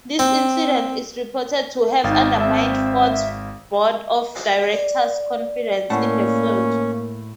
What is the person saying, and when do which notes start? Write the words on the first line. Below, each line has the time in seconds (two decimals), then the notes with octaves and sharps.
This incident is reported to have undermined Ford's board of directors' confidence in Fields.
0.19 C4
2.04 G#1 D#4 F5 A6
2.40 C4 E5
4.74 D5
5.90 A2 A#3 C#4 F#5 A5